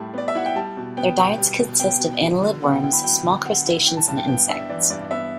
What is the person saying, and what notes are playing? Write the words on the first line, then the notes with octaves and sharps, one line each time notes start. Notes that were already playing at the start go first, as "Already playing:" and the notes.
Their diets consist of annelid worms, small crustaceans, and insects.
Already playing: A2 G3 E4 A5
B3 D5
E5
E4 F#5
G5
G3 A5
B2
B3 G5
B2 G5
G3
B2
B3 G5
B2
F#3
D3
B3 F#5
G5
E4 G5
B5
F#3 G5
D3
B3 F#5
E4
E3 G5
A5
G2 A5
G5
B3 G5
D4 E5
E3 D5
G2 D5
B3 E5